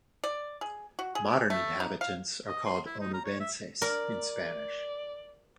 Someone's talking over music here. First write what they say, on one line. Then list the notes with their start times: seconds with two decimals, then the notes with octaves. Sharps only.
Modern inhabitants are called Onubenses in Spanish.
0.24 D5
0.61 G#4
0.99 F#4
1.15 G#4
1.50 A3
1.80 D#4
2.01 F5
2.47 D#5
2.65 C6
2.86 E4
3.00 D#4
3.14 A#5
3.25 C#5
3.40 E5
3.82 A#4 D5